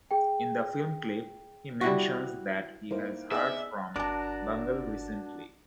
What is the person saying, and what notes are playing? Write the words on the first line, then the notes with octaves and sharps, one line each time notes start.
In the film clip, he mentions that he has heard from Bungle recently.
G#4 G5
G3 E4 F#4
A#3 D#4 E4 C5
B3 D#4 G#4 D5 E5
G1 D4 F#4 A#4 A5 D6